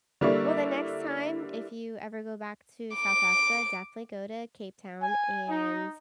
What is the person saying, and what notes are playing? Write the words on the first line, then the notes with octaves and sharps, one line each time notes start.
Well, the next time, if you ever go back to South Africa, definitely go to Cape Town, and
D3 G3 A#3 E4 D5 C#6
D6
G#5
D#4